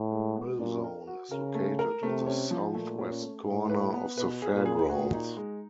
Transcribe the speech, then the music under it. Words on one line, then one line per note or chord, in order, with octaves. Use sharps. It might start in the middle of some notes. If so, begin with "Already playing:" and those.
Thrill Zone is located on the southwest corner of the Fairgrounds.
Already playing: A2
G#3
B3
A#2 D4
A#4
F#4
C#3 A#4
A3
A#4
C3 A3
C#4
F3
A#2 A3
C#4
A3
A2 G#4
B4
B3
B2 B4
G#4
A#2
G#4
A#2 F#4
D#4
G#3